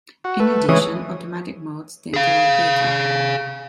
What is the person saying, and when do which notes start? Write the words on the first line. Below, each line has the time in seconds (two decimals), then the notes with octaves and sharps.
In addition, automatic modes tend to work better.
0.24 F#4
0.40 A3 B4
0.69 E3 G#3 C#4 C#5 D#6
2.14 G#4 F5